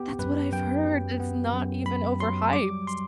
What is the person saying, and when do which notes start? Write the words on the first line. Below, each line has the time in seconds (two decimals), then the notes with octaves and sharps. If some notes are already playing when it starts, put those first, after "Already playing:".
That's what I've heard, that it's not even overhyped.
Already playing: B3 G4
0.19 F#2 B4
0.52 F#2 G5
0.86 F#3
1.20 B3
1.53 F#2
1.86 F#2 B5
2.20 F#3 C6
2.53 G3 D6
2.87 C6